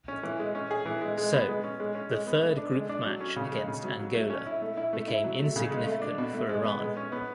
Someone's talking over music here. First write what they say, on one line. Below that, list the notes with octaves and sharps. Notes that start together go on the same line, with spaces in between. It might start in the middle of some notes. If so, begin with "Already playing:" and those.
So, the third group match against Angola became insignificant for Iran.
C#4
E3
G#3
C#4
G#4
E3
G#3
G#3
B3
G#3
C#4
G#3
C#4
G#3
B3
A3
D4
G#3
D4
F#3
C#4
C#3
G#3
C#3
F#3
F#3
A3
C#4
E4
A3
E4
A3
E4
F#3
A3
C#3
G#3
A3
D4
B2
A3
G#3
B3
G#3
C#4
B3